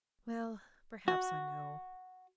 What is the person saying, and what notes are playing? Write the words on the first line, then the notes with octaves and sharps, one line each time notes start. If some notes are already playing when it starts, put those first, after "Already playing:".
Well, perhaps I know.
F#4